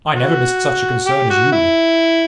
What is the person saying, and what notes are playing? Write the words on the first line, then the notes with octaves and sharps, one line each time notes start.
"I never missed such a concern as you."
F#4
G4
F#4
E4